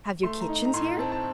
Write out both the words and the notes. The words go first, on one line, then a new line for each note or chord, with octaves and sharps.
"Have you kitchens here?"
A3 C6
A#5
D#4
A#5
A2 C6
A#5
C4 A5
A5